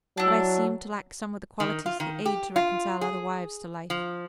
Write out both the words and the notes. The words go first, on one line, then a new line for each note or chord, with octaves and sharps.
But I seemed to lack some of the qualities that aid to reconcile other wives to life.
F#3 D4 E4
D#3
F4
D#3
G4
F4
G#4
F3